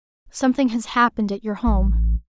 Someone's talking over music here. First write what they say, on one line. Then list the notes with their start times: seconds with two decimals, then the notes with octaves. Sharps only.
Something has happened at your home.
1.67 A1